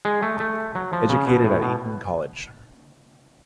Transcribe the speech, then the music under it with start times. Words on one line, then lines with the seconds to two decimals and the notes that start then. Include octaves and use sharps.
Educated at Eton College.
0.05 G#3
0.23 A3
0.40 A3
0.75 F#3
0.93 F3
1.09 C#3
1.27 B2
1.44 A2
1.62 B2